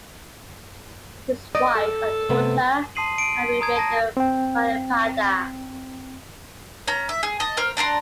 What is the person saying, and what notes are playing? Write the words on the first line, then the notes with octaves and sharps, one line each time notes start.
His wife and daughter had remained in Baripada.
D5 D#5
A4
C3 A3 B3
A5 C6 D#6 C7 D#7 F#7
D7 D#7
A#5 D#6 G#6
A5 A#6
C4 G5
C#4 A#5
E5
G#4
D#5 A5
A#4 C5 F6
D4 D5 A#5 C6